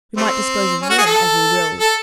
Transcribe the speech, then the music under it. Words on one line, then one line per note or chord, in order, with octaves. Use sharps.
We might dispose of them as we willed.
G3 A3 C4
C#4
F#4
G#4
A4
A4